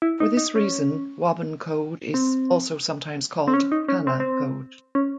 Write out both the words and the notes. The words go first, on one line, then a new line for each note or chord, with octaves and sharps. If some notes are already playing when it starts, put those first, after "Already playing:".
For this reason, Wabun code is also sometimes called Kana code.
E4
D#4
D#4
C#4
C4
C4
C#4
D#4
C#4
C4
C4
C#4